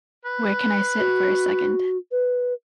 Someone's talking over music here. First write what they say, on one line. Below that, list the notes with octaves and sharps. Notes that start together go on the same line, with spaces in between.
Where can I sit for a second?
B4
F#4
B4